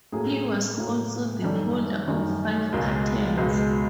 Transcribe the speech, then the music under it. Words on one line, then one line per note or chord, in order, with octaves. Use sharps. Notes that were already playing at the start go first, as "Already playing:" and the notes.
He was also the holder of five patents.
A2 F#3 A#3 G#4
A2 F#3 A#3
F#2 D#3 G3 A4
F#2 D#3 G3
C#2 B2 G#3 A#4
C#2 B2 G#3